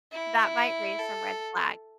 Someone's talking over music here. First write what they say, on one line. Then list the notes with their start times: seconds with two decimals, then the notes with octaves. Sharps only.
that might raise some red flags.
0.12 E4
0.99 A4